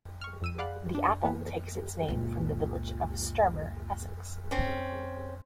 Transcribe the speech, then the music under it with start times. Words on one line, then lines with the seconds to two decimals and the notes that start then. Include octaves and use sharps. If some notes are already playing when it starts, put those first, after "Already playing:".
The apple takes its name from the village of Sturmer, Essex.
0.21 C#6 F6
0.42 F2 E6 D#7
0.58 G#4 D5 F5 F#5 B5 F#6
0.95 D4
1.23 E3 A#3 B3 B4
2.08 C#2 A#2
4.51 C4 C#4